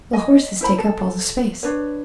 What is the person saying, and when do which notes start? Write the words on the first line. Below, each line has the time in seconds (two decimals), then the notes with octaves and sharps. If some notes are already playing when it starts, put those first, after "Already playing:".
"The horses take up all the space."
0.13 D#5 G#5
0.61 E4 C5 B5
0.78 A4
1.63 D4 B4 C#5